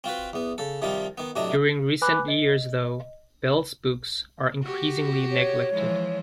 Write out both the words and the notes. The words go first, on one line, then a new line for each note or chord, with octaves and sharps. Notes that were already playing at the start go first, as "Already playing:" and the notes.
During recent years though, Bell's books are increasingly neglected.
C4 F4 F#4 B4
E2 B3
C#3 A4
C3 D#3 F3 G3 D#4 F4
D#3 B3
A2 C3 F#3 D4 D#5
B4 G#5 B5 D6 F#6
D#5
F#4 G4
C#5
E3 F3 G#3